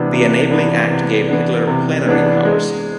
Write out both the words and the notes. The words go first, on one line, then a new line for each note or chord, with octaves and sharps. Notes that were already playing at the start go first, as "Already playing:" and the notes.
The Enabling Act gave Hitler plenary powers.
Already playing: C3 E3 B3 D4
C3
E3 B3 D4
C3
E3 B3 D4
C3
E3 B3 D4
G#3